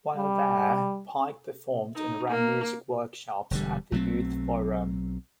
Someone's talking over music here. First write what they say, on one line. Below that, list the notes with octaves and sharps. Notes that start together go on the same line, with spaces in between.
While there, Pyke performed and ran music workshops at the youth forum.
G3
D#4
A#3
E1 D3 G3
B1 F#3 A3 C4